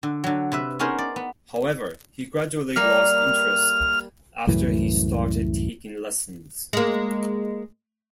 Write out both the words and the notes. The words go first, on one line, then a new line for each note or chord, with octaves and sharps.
However, he gradually lost interest after he started taking lessons.
D3
D3 F#3
C3 B4 E5
B3 C#4 D#4 G#4 A#4 C5
D5
B3
G3 A#3 F6
C2 F#2 A2 E3
G#3 A#3